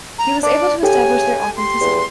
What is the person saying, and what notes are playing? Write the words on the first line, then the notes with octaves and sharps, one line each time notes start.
He was able to establish their authenticity.
A#5
D4 D5
C#3 G4 A4 G5 G#5
C6
E2